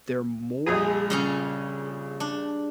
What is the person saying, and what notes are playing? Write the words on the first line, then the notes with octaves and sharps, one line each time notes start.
they're more
A#1 F2 G#4 D#5
C#3 G3 C#4
D4